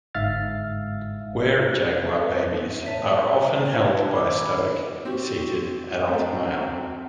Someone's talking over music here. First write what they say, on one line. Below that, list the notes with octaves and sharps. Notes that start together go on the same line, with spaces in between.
Were-jaguar babies are often held by a stoic, seated adult male.
G1 G#2 E5 F5 F6 A6
A4 B4
A2 C#5 E5 A5 B6 D#7
E4 G5 G#6
D#3 E4 B5 D6 G#6
C4 F#4 G4
F#2 A3 C4 F#5